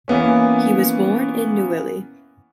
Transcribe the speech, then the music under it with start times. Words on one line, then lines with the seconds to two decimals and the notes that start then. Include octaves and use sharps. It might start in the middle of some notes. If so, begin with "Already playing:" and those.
He was born at Neuilly.
0.08 E3 A#3 B3 C#4